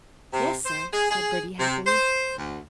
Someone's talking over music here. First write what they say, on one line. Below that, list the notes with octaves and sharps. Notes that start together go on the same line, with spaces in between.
"Yes, sir," said Bertie happily.
C3
C5
G#4
G#4
C3
C5
D2